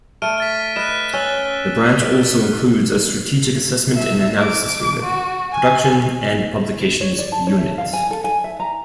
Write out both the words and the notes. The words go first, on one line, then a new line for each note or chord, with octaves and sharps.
The Branch also includes a Strategic Assessment and Analysis Unit, Production and Publications Unit.
A3 A4 F6 D7 D#7
F6 A6 B6
B4 D#5 F#6 E7
C#4 E6 A6 G7
E5
D6
F#4
G#5
C#5
D5
A5
C#5
E5
F5
G#5
A4
G#5
E5
A#5